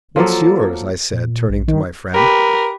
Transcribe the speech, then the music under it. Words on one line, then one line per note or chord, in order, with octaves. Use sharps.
"What's yours?" I said, turning to my friend.
F3 F#3 A#3 A4
A#2
A#1
D#3
G4 A#4 B4